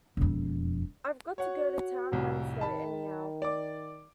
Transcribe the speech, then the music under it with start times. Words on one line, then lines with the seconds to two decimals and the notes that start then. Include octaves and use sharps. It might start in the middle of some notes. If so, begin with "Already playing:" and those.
I've got to go to town Wednesday, anyhow.
0.17 E1 F2
1.38 F#4 C#5 F#5
2.12 C2 F2 A2
2.61 D#3 A5 B5
3.42 D5 D6